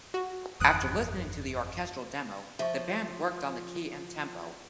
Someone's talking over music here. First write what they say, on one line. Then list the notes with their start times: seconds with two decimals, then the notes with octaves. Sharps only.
After listening to the orchestral demo, the band worked on the key and tempo.
0.14 F#4
0.60 G1 F2 E3 D#6 F#6 D7
2.59 F3 E5 C#6